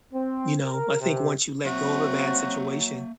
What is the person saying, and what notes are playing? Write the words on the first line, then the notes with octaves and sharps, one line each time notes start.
you know, I think once you let go of a bad situation,
C4
A#4
C3
F#3 A#3 C4 F#4 E5